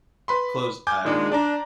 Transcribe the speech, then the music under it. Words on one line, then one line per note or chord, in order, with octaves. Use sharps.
close, uh,
B4 B5 C6
G#5 D6 G6
A#2 D#3 G#3 D4
D4 D5 A#5